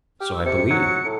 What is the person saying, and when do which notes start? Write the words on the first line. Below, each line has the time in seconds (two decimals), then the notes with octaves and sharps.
So I believe.
0.20 G4 F6
0.34 E6
0.46 C3 C#7
0.71 F#3
1.05 A2